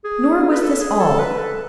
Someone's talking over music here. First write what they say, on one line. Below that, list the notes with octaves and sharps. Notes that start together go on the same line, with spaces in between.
Nor was this all.
G#4
G#4
B4
A4
G#4
A4
B4
A4